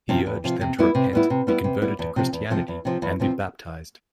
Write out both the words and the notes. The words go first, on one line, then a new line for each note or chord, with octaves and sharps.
He urged them to repent, be converted to Christianity, and be baptized.
C3 F3
E2
C3 F3
C3
G3 B3 E4
C3
G3 B3 E4
C3
G3 B3 E4
C3
G3 B3 E4
E2
C3 F3 C4
E2
C3 F3 C4
E2
C3 F3 C4
E2
C3 F3 C4